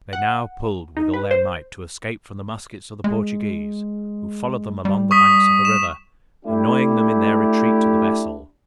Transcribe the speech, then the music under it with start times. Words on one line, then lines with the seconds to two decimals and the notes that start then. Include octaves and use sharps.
They now pulled with all their might to escape from the muskets of the Portuguese, who followed them along the banks of the river, annoying them in their retreat to the vessel.
0.13 F#5
0.97 D#4
1.14 B4
1.31 C5
3.04 G#3
4.85 G3
5.11 C#6 D#6 B6
5.65 E7
6.44 A3 D4 E4 G4